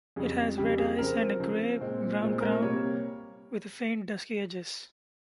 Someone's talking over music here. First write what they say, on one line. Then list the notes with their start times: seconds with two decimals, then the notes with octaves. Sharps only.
It has red eyes and a grey-brown crown with faint dusky edges.
0.16 F2 C#3 G3 G#4
0.58 F2 C#3 G3 G4
0.78 G#4
0.98 C#3 F3 C4 A#4
1.40 C#3 F3 C4
1.80 A#2 G#3 C4
2.21 A#2 G#3 C4
2.41 A#4
2.62 C3 G3 A#3 C#5